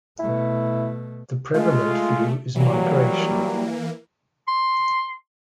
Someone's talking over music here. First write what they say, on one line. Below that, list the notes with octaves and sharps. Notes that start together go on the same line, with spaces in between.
The prevalent view is migration.
B2 A3 E4
G#3 A3 F4
E3 F#3 G3 A#3
C6